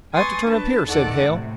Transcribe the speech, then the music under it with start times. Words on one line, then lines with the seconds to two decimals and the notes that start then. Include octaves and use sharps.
"I have to turn up here," said Hale.
0.13 B4 G#5 C6 C#6 D#6 A6
0.46 D4 B4 A5
0.86 E2 D#3 A4 D5 F#5 D6
1.26 A2 C3